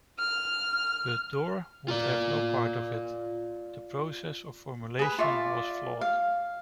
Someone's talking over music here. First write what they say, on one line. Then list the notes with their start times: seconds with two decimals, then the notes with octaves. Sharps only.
But Dorr would have no part of it; the process of formulation was flawed.
0.19 F6
1.88 F4 D5
4.99 G#4 B4
5.18 F4 D5 E5 C#6
6.01 F5